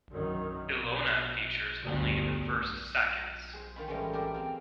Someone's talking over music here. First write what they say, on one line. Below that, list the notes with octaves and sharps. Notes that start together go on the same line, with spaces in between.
Ilona features only in the first seconds.
F#2 D#3
B2
G1 D2
G#4 C5
D#3 F4 B5
A2 E3 G3 G#3 C#4
E4 G4 G#4 A#4 C5 D5
C4 F4